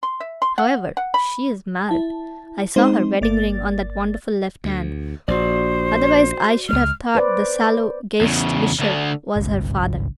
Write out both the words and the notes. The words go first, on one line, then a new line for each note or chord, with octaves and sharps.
However, she is married; I saw her wedding-ring on that wonderful left hand, otherwise I should have thought the sallow Geistlicher was her father.
C6
E5
C6
F#5
F#5
B5
E4 A5
G#3 C4 D#4 C5
G1 A#3 D5 A6
D2
A#1 F#4 C5 D5
C#2 G#3 F6
B4 C5 D5
E2 C#3
D2 D3
G#1 C#2 G2 C#3